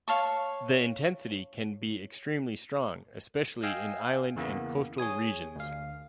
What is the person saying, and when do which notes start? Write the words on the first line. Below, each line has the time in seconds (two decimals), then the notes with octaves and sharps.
The intensity can be extremely strong, especially in island and coastal regions.
0.08 C#5 F5 A5 C#6
3.63 D#5 F5 G5 G#5 E6
4.35 E2 C#3 E3 A#3 B3
4.98 G#4 C#5 G#5 D#6
5.55 D2 F5